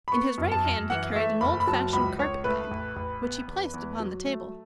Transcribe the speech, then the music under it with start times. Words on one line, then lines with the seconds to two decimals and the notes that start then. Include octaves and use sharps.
In his right hand he carried an old-fashioned carpet-bag, which he placed upon the table.
0.08 B5
0.12 B3 C#6
0.38 F#2
0.52 A5
0.64 F#2
0.90 E3 F#5
1.15 A3 E5
1.41 F#1 B5
1.60 B5
1.67 F#3 A5
1.93 C#2 B5
2.19 C#2 C#5
2.44 A3 B4
2.71 A1
2.96 A1
3.22 B3
3.48 E2
3.74 E2
4.00 F#3
4.25 A3